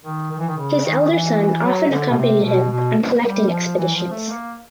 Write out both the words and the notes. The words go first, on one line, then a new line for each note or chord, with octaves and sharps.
His elder son often accompanied him on collecting expeditions.
D#3
D#3
E3
D#3
C#3
D#3
D#3
E3
F#3
D3
B2
C3
B2
B2
G3
F3
E3
F3
A3
A#3